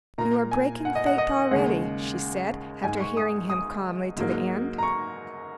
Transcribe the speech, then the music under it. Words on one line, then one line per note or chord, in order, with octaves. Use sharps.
"You are breaking faith already," she said, after hearing him calmly to the end.
A#2 A#3 A#5
G#5
F#5
D#5
F#5
D#5
D#2 C#3 G#3 F#5
G#2 G#3 G#5
C#6
D#6
D#6
G#2 F#3 A#3
A#5
C#6